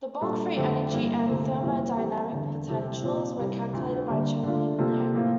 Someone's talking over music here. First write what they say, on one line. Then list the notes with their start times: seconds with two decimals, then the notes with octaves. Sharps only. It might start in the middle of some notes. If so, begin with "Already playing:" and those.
The bulk free energy and thermodynamic potentials were calculated by Chen-Ning Yang.
0.21 A#2 G3 D4 A4
0.56 F2 D3 A3 C4 G4
0.92 G2 E3 A#3
1.27 D2 C3 E3 A3 C4
1.62 F2 E3 G3 A#3 E4
1.97 E3 G3 C4 G4
2.32 E2 D3 G3
2.68 C2 C3 E3 G3 C4
3.03 A#2 F3 C4
3.38 C2 C3 G3
3.73 D2 D3 F3
4.08 D3 G3 A#3
4.43 D3 A3 D4 F4
4.78 C3 F3 A#3 F4 A4
5.14 A2 F3 A#3 F4